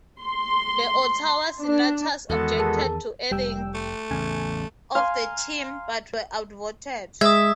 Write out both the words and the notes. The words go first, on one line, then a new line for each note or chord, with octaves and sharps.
The Ottawa Senators objected to the adding of the team, but were outvoted.
C6
D4
E2 D#3 G#3 B3 F#4 A4
G#4 A#4 A5
F1 G3 G5 E6
A3
A1 E2 C#3 G#5
F5 G#5 A#5 C6
G#3 E5 D#6 G#6